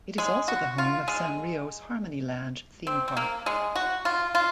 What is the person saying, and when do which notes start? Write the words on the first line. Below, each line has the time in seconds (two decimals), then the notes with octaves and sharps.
It is also the home of Sanrio's Harmonyland theme park.
0.18 G#3
0.48 F#4
0.78 F4
1.08 G#3
2.87 C4
3.08 C4
3.17 A#3
3.46 G#3
3.75 F#4
4.05 F4
4.35 F4